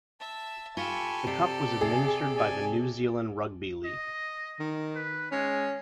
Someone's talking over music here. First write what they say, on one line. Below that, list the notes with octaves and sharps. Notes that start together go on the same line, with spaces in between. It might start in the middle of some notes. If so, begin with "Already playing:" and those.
The cup was administered by the New Zealand Rugby League.
E5 A5
F4 G4 A4 G#5 B5 C#6
C3 D5
C3 G#4
D5 G#5
D#5
D#3
B4
G#3 C#4